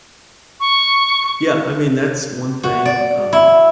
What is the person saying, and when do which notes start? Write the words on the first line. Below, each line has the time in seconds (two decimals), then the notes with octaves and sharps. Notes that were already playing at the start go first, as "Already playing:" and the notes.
Yeah, I mean, that's one thing, um,
0.60 C#6
2.63 F#4
2.85 D5
3.33 E4